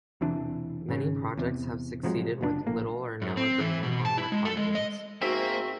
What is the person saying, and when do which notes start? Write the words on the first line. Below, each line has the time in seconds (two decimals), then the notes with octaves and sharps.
Many projects have succeeded with little or no agreement on requirements.
0.21 E1 C3 E3 D4
0.89 G#1 C#3
1.37 E2 C3
2.03 C3 F3 F#3 G#3
2.41 F#1 A2 D4
2.67 A#1 A#3
3.22 F#2
3.37 C4
3.60 E3
3.83 B2
4.05 A5
4.18 E4
4.32 G#3
4.45 A4
4.57 G#3
4.75 D#5
5.22 G#2 A#3 C4 F#4 C5 E5